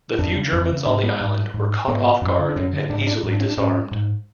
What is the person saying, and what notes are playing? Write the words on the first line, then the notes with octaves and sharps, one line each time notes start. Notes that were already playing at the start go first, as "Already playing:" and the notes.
The few Germans on the island were caught off guard and easily disarmed.
F2 D4
C#3
F2
C#3
G#2 D4
B3
G#2
G#2
G#2 B3
F#2
D3
D4
F#2 C#4
D3
G#2 D4
C#4
D4
G#2
D4
C#4
D4
G#2 C#4
G#2